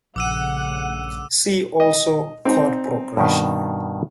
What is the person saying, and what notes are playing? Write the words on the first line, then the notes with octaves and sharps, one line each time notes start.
See also Chord progression.
A#1 G2 C#3 A3 F#5 D6 E6 D#7
D#5
C4 D#4
G2 B2 D#3